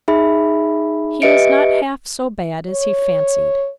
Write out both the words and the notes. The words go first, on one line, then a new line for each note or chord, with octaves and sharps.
He is not half so bad as he fancied.
D#4 G#4 E5 B5
G4 B4 D#5 E5 C#7 D7
C#5